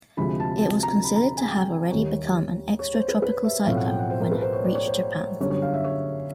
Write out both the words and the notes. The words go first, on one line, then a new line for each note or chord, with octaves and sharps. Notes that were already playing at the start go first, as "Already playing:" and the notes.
It was considered to have already become an extratropical cyclone when it reached Japan.
D2 C3 F3 G#3 B5
A5
A5
A#5
B5
A#5
G#5
G5
D#2 D#3 G3 C#5
C#5
C5
B4
B4
E5
B1 A2 F3 A3 C4 F5
F#5
G5
F#5
C5
A#4
B4
C5
C#5
D5
C#5
C5
G1 F#2 D3 G3 C#5
C#5
F5
E5
C#5